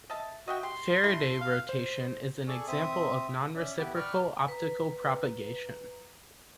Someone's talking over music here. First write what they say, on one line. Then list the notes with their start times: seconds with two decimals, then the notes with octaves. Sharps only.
Faraday rotation is an example of non-reciprocal optical propagation.
0.10 D#5 E5 A5
0.48 F#4 D#5 E5 G5
0.63 G4 C6
1.04 A3 E4 E5
1.41 F5
1.69 C5
2.48 G#4 A4 D5 C#6
2.67 C4 E5 D#6
3.55 C#4 D5 E5
3.78 B3 E4 G4 B4 D6
3.96 B4 D5 G5 C#6 F6
4.48 B4 A#5